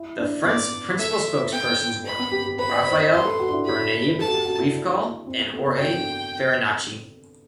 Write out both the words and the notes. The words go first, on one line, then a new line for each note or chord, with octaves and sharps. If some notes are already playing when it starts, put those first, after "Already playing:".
The Frente's principal spokespersons were Rafael Bernabe Riefkohl and Jorge Farinacci.
Already playing: E4
D4
B3 D5
A3 E5
B3 G5
B5
B3
G4
G4
B4 B5
D5
C5
C5
B4 C6
A4
F#4
D4
E4
G4 B5
B4
A4 A5
F#4
G4
F#4
E4
D4
C4
B3
A3
B3
F#4 G5
D4